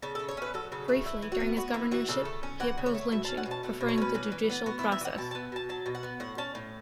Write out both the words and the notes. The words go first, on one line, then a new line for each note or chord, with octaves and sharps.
Briefly during his governorship he opposed lynching, preferring the judicial process.
C#3 A4
A4
A3
C#5
C#4 B4
F#3 A4
C#3 A4
A3 F#4
E3 E4
E3
F#4
B3
B3 F#4
E3 E4
E3 F#4
C#3 A4
A3
C#4
E3 F#5
C#3
C#5
A3
B2 E5
C#4 A5
F#5
B2
A5
A3 F#5
B2
C#5
C#4 B4
E3 B4
E3
B3
B3 F#4
E4
E3
E5
E3 F#5
B2 A5
B3 A5
B2 A5
F#3 A5
B2
F#5
B3
A2 F#5
C#4 A5
A2